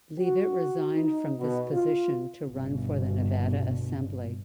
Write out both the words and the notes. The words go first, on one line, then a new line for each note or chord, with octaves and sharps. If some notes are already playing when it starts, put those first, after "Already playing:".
Leavitt resigned from this position to run for the Nevada Assembly.
F#4
D#4
B2
F4
G1 B2